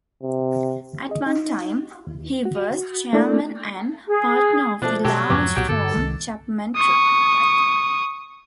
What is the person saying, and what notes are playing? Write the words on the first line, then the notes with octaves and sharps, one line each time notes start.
At one time, he was chairman and Partner of the large firm Chapman Tripp.
C3
G#4 D#5
D#4
D#2
F#4
A3 A#3 D4 E4 A4 D5
G#4
B2 F3 A3 D4
B2 F#3 G3 G4 A4 A5
F2 G#2 C3 F3 B3 D6 G#6
B1 A#2 F#4 G4 G5
G2 D3 A4
C2 D#3 G#3
C#6 D#6